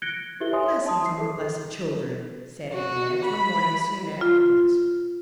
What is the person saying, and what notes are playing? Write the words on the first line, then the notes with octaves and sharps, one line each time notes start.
"Blessings on the blessed children!" said aunt Madge, one morning soon after this.
F#6 G#6 A#6 C#7 D7 G7
E4 G4 A4 B4 E5 G7
C#5 E5 G#5 C6 D#6
A5 C6 D#6
C7
G#4 A4
F#4
B5
F4